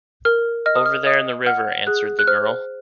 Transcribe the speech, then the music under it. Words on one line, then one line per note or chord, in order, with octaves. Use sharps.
"Over there in the river," answered the girl.
A#4 F6
D#5 F6
D#6
F6
D#5 D#6
F#5 F6
G#4 F#6
F#6
C5 F6